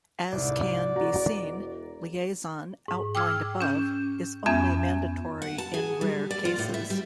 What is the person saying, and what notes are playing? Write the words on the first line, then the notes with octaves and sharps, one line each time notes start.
As can be seen, liaison, outlined above, is only mandatory in rare cases.
C2 G#2 D5
E1 F#4 A#5
G#2
G5 D6 E6 F6 G#6
C#4 G6
F2 B3 C#4 E5 G#5 G6
F#5
A5
G#4
G3
D5
F4
A2
E5
G3